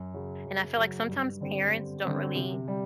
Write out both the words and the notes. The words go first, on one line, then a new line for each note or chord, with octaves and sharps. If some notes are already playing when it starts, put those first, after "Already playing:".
And I feel like sometimes parents don't really
Already playing: F#2
C#3 F#3
F#2
C#3 F#3
G2
D3 G3 C4
G2
D3 G3 C4
C3
G3